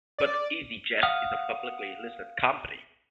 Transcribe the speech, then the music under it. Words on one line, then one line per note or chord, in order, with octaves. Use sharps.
But easyJet is a publicly listed company.
D5
F5 F#5 D#6 F6